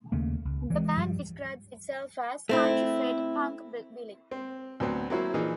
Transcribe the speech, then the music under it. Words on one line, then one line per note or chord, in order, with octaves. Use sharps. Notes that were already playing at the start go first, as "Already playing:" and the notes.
The band describes itself as "country-fed punkabilly".
D#2 C#3 A3 A#3
C#2
E3 G#3
G2 F3 G3
A3 C4 E4
C4
D2 F#3 B3 C4
F#3 A#3 C4 E4 F#4
A#2 E3 F3 D#4 G#4